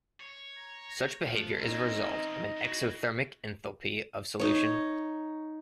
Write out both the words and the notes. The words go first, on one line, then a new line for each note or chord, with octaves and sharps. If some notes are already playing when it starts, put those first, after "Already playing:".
Such behavior is a result of an exothermic enthalpy of solution.
C#5
A#5
F3 A3 B3
F2 C4 C#4 D#4 D#5 E5
C#3 E4 F#4
D#4 C#5